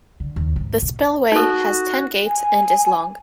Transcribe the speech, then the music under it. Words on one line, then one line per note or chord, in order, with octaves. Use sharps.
The spillway has ten gates and is long.
D3
D#2
G#2
B2
D#4 F#4 A4
G#5